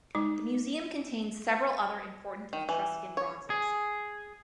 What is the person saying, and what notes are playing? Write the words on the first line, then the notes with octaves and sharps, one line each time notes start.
The Museum contains several other important Etruscan bronzes.
G#3 D#4 D6
D#3
E3
C#5
G#4